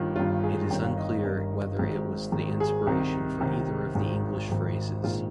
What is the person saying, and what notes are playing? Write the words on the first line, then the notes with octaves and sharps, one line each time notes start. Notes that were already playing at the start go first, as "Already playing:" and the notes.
It is unclear whether it was the inspiration for either of the English phrases.
Already playing: G1 G2 D#3 F4
G1 G2 D#3 F4
G#4
G1 G2 D#3 G5
F5
D#5
G1 G2 D#3 A#4
G#1 G#2 D#3
G#1 G#2 D#3
G#4
C2 C3 D#3
C2 C3 D#3
G#1 G#2 D#3
G#1 G#2 D#3
A#1 G#2 D#3 F4